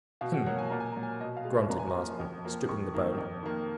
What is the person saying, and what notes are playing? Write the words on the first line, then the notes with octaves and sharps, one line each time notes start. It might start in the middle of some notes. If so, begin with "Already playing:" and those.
"Hm!" grunted Marsden, stripping the bone...
B2 F5
F#5
F#3 A#3 F#5
G#5
A#2 A#5
G#5
F#3 A#3 A#5
G#5
B2 D#5
F5
G#3
G#5
F#2 A#5
G#5
A#5
F3 A#3
F2
F3 A#3
F2 C#6
D#3 A#3
F2
D#3 A#3